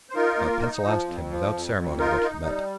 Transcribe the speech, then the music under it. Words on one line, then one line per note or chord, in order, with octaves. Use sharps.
My pencil asked him, without ceremony, what he meant.
C5
D#4 F4 A#4
A#3
D#4
F3
F2
F3
F2
F2
D#4 F4 A#4
D#4
G3